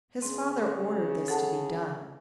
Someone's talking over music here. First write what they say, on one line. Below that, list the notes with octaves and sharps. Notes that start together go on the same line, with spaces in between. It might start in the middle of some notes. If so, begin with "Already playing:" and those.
His father ordered this to be done.
C#3 C4
A4 F#5 A5